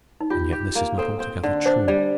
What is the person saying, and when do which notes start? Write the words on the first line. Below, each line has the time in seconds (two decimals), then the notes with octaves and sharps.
And yet this is not altogether true.
0.21 D#4
0.30 F4 G4
0.53 G4
0.75 A#3
0.98 C4 A4
1.20 C4
1.43 D3
1.66 D4 C5
1.88 G3 D5